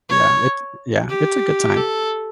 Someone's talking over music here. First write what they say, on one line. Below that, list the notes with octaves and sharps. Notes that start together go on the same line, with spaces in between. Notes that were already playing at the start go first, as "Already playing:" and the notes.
yeah, it yeah, it's a good time.
C#5
G4
A4